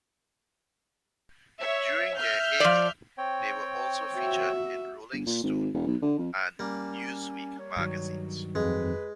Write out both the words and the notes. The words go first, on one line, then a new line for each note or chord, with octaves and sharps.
During their heyday, they were also featured in "Rolling Stone" and "Newsweek" magazines.
C#5 E5
E5 F6 G6
F3 D5
C4 C#5 G5
F#4 E5
G1
A#2
G#1
E1
B1
D3
F2
G3 A#3 C#4
C#5
G2 D#3 F#3
F2 G#3 B4